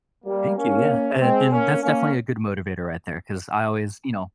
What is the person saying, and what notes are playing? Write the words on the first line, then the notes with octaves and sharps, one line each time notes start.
Thank you, yeah, and and that's definitely a good motivator right there 'cause I always, you know
G3 A#3
A#3 C#4
G#3 C4
A#3 C#4
A#3 C#4